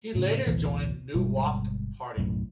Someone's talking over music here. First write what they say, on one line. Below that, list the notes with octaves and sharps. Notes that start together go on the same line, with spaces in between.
He later joined New Wafd Party.
A2 C#3
A1 D2 B2 E3
G1 B2 G3 G#3
B1 F#2 A2